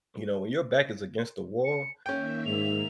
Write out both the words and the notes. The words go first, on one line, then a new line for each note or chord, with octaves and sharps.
you know, "When your back is against the wall,
C#7
D#3 A#3 C#4 E5 G5 G6
G#2 F7